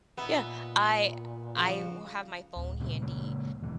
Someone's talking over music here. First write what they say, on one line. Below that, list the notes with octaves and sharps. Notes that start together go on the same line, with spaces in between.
yeah, I I will have my phone handy,
A#2 B3 D#4 E5
C#3 F3 F#4
D1
A#2 C#3 F3 G3
C#3 G#3 A#3
G#2 B2 E3